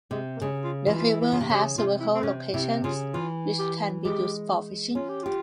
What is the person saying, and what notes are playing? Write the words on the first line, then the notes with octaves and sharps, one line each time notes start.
The river has several locations which can be used for fishing.
C3 G#3
A#3
C#3 G#3
F4
E3 F4
F4
E4
E4
C#3 F4
C3
C#3
G4
C3 F4
E4
C4
C3 C#4
C3 E4
C#3 F4
E3 F4
G4
G#3 G4
C#4 F4
G4
F4 G4